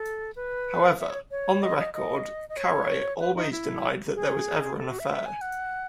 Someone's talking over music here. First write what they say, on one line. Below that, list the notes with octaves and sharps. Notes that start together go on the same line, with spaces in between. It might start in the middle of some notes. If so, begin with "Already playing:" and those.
However, on the record, Caray always denied that there was ever an affair.
Already playing: A4
B4
E5
C#5
C#5
D#5
D#5
D#5
D#5
C#5
B4
D#4
E4
G#4
A4
F#4
E5
E5
G#5
F#5